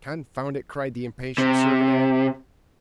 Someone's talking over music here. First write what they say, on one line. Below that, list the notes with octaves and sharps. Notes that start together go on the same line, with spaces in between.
"Confound it!" cried the impatient Servadac.
C3